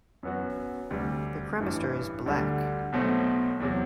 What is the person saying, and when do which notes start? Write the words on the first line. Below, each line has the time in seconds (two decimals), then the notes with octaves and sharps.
The cremaster is black.
0.23 F#2 F#3 B3 F#4
0.90 D2 C3 G3
1.58 A1 G2 E3
2.26 D2 D3 G3
2.92 B1 B2 F#3 A3 C4
3.60 E2 C3 F#3